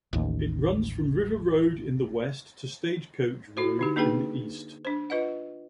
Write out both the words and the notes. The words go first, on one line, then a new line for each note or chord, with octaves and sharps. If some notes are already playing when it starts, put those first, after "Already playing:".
It runs from River Road in the west to Stagecoach Road in the east.
A1 D#2
E4 F#4 C5
D3 D#4 G4
A#3 D4 D#4 G#4 B4 G5
D4 C5
F4 B4 D#5 F#5